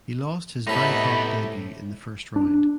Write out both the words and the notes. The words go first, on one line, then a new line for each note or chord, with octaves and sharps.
He lost his Bangkok debut in the first round.
A2 C3 B3 D#4 A4 B5
D4